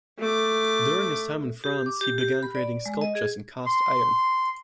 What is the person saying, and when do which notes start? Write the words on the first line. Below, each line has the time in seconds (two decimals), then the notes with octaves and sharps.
During his time in France he began creating sculptures in cast iron.
0.19 A3 D6
1.64 G4
1.86 D6
2.01 G4
2.18 G4
2.43 B5
2.55 D5
2.86 G#3
3.01 D#5
3.15 G#4
3.66 C6